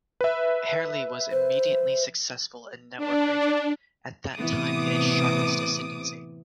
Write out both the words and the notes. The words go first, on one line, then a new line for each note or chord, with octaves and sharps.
Herlihy was immediately successful in network radio, at that time in its sharpest ascendancy.
B4 E5
C5
D4
A2 C3 E3 B3 D6 D#6